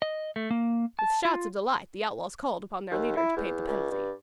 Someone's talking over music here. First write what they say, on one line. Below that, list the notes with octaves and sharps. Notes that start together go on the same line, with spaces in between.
With shouts of delight the outlaws called upon their leader to pay the penalty.
D#5
A3
A#3
A5
F4
D#2
E4
E2
C#2
G2